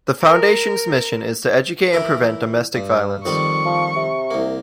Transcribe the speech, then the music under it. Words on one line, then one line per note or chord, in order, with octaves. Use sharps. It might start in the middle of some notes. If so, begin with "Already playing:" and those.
The Foundation's mission is to educate and prevent domestic violence.
A#4
E3 E4 A#4
G2
F2 D#3 G3 C#6
F3
C3
C2 A#3